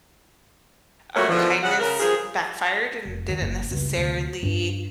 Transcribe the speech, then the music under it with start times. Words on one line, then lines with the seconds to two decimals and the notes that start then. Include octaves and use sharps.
um, kindness backfired and didn't necessarily
1.16 F2 A3 A#3 F#4 C#5
1.29 B2 D3 E3 F3
1.63 C#3 F#5
1.80 C#3 A#4
1.99 G2 F3 G#4
3.05 F1
3.29 D#3
3.42 F#1
3.71 C#2 G2
3.96 D2 C3
4.43 G2 C#4